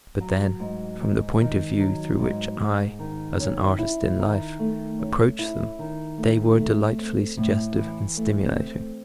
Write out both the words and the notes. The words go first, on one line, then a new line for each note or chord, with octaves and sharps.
But then, from the point of view through which I, as an artist in life, approach them they were delightfully suggestive and stimulating.
F#3
G#2
G#2
D#3
F#3
G#2
G#2
D#3
C#4
E4
D#3
A3
C#4
E4
D#3
A3
A3
C4
A2
E3
A3
C4